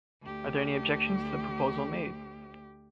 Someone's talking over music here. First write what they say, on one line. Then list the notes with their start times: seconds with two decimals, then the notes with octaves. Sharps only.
Are there any objections to the proposal made?
0.22 D2 G4